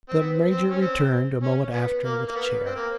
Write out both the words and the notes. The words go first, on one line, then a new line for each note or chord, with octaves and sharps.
The Major returned a moment after with a chair.
C4
B3
C4
C#4
C4
C#4
B3
A#3
A#3
B3
C4
A#3